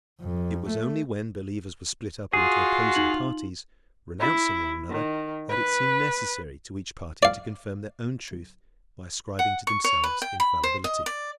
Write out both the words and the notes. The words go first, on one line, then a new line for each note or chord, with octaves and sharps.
It was only when believers were split up into opposing parties, renouncing one another, that it seemed necessary to each party to confirm their own truth by ascribing to themselves infallibility.
F2
A3
F4 F#4 G#4
D#4 F#7
E4
D#3
B4
D5 F5
F#5
C#6
C#5
B4
G5
B5
C5
D#5
D5